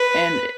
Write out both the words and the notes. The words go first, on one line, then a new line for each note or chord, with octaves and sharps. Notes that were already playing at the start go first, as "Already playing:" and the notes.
And, eh,
Already playing: B4